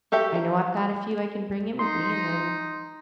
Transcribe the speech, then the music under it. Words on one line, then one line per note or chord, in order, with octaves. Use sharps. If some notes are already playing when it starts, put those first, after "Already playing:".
I know I've got a few I can bring in with me, and then,
F#4 G4 A4 E5
A#5
D#4 C6